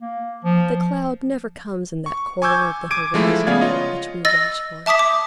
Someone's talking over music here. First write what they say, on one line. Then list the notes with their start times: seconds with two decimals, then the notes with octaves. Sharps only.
But the cloud never comes in that quarter of the horizon from which we watch for it.
0.01 A#3
0.45 F3
2.06 C#6
2.42 G#5 C#6 D6 E6 G6 G#6
2.91 D6 G#6 D7 D#7
3.14 F3 G#3 A3 E4
3.47 C#3 B3 G#4 D5 F5 G#6
3.61 F4 C#5 D#5
4.25 D#5 E6 A6 A#6
4.86 E5 A5 D6 D#6 B6
4.99 D6